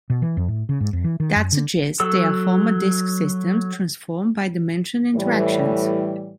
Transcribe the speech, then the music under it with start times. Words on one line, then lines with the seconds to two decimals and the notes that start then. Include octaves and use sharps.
That suggests they are former disk systems, transformed by the mentioned interactions.
0.10 B2
0.22 E3
0.37 F2
0.48 A2
0.69 C#3
0.80 G#2
0.93 F2
1.04 E3
1.20 D#3
1.36 F#2
1.52 D3
2.00 F#3 A4 E6
5.16 A2 E3 G3